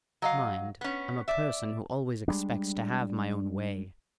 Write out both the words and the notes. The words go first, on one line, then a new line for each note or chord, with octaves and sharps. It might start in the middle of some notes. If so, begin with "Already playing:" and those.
Mind, I'm a person who always expects to have my own way.
F#3 D#5 F5
B3 C#4
D5 E5
G3 G#3 D4